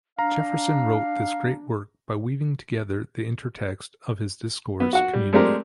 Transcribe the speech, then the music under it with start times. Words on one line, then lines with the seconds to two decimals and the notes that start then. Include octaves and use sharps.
Jefferson wrote this great work by weaving together the intertext of his discourse community.
0.19 D4 F5 A#5
4.80 B3
4.93 F#4 F#5
5.13 G3
5.33 G#3 A3 C4 D4 G4 A#4